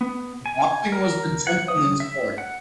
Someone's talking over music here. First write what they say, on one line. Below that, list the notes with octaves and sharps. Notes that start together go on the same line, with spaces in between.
boxing was the gentleman's sport.
B3
G#5
A#4
F#5
D#6
E5
F#5